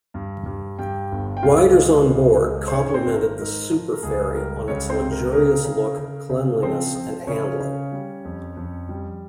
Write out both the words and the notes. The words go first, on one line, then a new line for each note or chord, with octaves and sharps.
Riders onboard complimented the "superferry" on its luxurious look, cleanliness, and handling.
G2
G2
G2 G4 G5
G1
G5
C#2 F4 F5
G#3
C#2
G#3
C5
G#2 C#4 C#5
C#5
C4 C5
G#1
A#4
G#2 A#4
F3
A#4
C#2 G#4
G3 A#4
C#2 C#4 C#5
C4 C5
C3
A#4
C#3 A#4
C#3
C#3
C#3
F3 C4 C5
F3
C#3 C#4 C#5
C#3
G3
F2
F2
G3